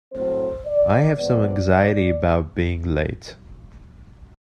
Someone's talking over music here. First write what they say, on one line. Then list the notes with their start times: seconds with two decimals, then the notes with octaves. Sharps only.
I have some anxiety about being late.
0.12 A2 F#3 A3 C4 C5
0.66 D5
1.18 A#2 F3 G#3 B3 D5
1.71 D5